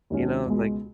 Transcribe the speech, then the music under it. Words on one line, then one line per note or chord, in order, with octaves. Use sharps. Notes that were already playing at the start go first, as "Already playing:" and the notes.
you know, like
D#2 D#3 G#3 C#4 F#4
C#2 B2 G#3